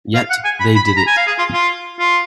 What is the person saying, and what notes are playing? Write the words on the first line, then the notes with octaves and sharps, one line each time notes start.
Yet, they did it.
F5
F#5
G#5
B5
B5
B5
A#5
G#5
F5
G#4
F4
F4
F4